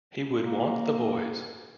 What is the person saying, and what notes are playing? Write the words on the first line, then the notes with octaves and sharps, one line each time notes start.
He would want the boys.
A#3